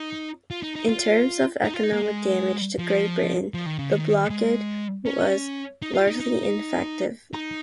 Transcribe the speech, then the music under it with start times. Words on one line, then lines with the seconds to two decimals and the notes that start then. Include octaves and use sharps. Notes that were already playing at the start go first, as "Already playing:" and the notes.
In terms of economic damage to Great Britain, the blockade was largely ineffective.
Already playing: D#4
0.51 F4
0.63 D#4
0.76 D#4
0.89 F4
1.64 D#4
1.74 F4
1.83 D#4
1.93 A#3
2.02 G#3
2.79 F3
3.54 F3
3.66 D#3
3.79 C#3
3.91 D#3
4.30 G#3
5.06 C#4
5.82 D#4
5.95 F4
6.07 D#4
6.20 D#4
7.33 D#4